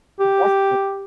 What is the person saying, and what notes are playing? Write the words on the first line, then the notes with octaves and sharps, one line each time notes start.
That's good.
G4